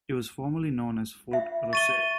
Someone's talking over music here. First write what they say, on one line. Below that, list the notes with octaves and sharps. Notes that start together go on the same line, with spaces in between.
It was formerly known as Fort-Rousset.
F4 E5
C#6 A6 D#7 G7